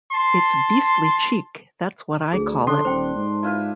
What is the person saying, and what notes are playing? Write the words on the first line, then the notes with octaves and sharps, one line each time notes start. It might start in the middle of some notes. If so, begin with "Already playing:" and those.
It's beastly cheek, that's what I call it.
A5 C6
D2 G#4
D5
D3 D4 A4 C6
D#1 C5 G5
G#2
E4 F4 B4